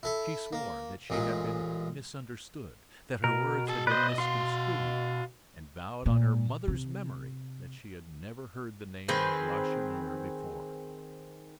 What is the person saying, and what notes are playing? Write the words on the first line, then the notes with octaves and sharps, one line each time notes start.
She swore that she had been misunderstood, that her words had been misconstrued; and vowed on her mother's memory, that she had never heard the name of Lacheneur before.
E4 A4
A#3
A1 A#2 G#3
B2 A#4
G#4 A5
B4 C5 D5 D#5
F#4 F5 C6
A#2
C3
D#3 C4 G#4 B4